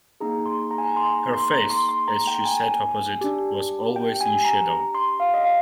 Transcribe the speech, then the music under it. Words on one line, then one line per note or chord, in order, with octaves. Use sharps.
Her face, as she sat opposite, was always in shadow.
A#3 D#4 G#4 A#5
C6
A#5
G#5
A#5
C6
A#5
C6
A#5
C6
C6
A#5
G5
A#5
G#5
D4 G4
G5
G#5
A#5
A#5
C6
F5
D#5
F5